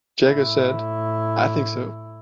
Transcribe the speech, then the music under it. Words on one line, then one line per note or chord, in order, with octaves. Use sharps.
Jagger said: I think so.
A2 E4